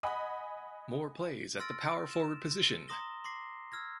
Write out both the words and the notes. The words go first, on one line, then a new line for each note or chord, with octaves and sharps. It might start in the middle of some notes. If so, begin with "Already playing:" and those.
Moore plays at the power forward position.
D#5 F#5 G#5 B5
C6 E6 F6 A6 A#6 D7
E7
A#5 C6 D#6 A#6 G7
C6 D6 A#6 C7
E6 F6 G#6 A#6